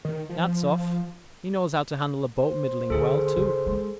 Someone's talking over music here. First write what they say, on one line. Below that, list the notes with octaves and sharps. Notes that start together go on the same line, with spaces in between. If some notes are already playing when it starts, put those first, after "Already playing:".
Nat's off--he knows how to handle a boat middling well, too.
D#3
F3
C5
D2 G#4 A4
C#3
G#3